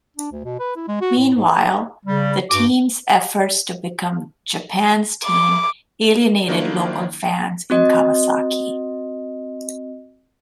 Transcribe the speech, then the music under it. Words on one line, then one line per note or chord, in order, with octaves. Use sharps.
Meanwhile, the team's efforts to become "Japan's Team" alienated local fans in Kawasaki.
D4
D2
B2
B4
E4
G#3
F#4
A2
G#2
C#3 G3
G2 F#4 D6
D6
D#3 F#3 A#3 D4 E4 F4
C4 F#4 D#5